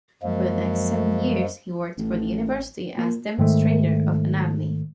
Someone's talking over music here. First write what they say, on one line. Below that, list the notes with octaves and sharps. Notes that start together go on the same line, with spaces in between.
For the next seven years, he worked for the University as Demonstrator of Anatomy.
F#2 F3 G#3 A#3
A1
A#2
G#2 D#3 G#3 A3